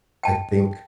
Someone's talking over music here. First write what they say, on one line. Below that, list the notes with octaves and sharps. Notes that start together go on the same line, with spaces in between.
I think
G5 A5